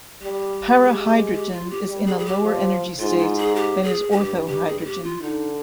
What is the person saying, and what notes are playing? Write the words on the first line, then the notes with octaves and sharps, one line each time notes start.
Parahydrogen is in a lower energy state than is orthohydrogen.
G3 G4
G#3
G4
F4
G4
G3
G#4
G#4
G4
F3
G#2 F4
F4
G#4
G4
G#4
G2 G4
G4
G#4
G#4
G4
F4
D3 D#4